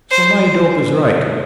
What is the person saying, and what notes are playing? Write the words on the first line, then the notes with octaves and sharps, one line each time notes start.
So my dope is right.
C5